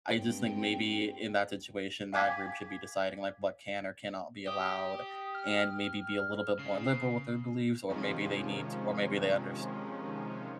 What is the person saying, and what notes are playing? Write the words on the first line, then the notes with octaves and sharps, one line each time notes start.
I just think maybe in that situation, that group should be deciding, like, what can or cannot be allowed, and maybe be a little bit more liberal with their beliefs, or maybe they need to, or maybe they underst
G2 G#3 C4 G5
F5 G5 G#5 D6 G#6 B6
G4 D#6
F6
C#3 C7
C3 D#3 F3 G#3 C#4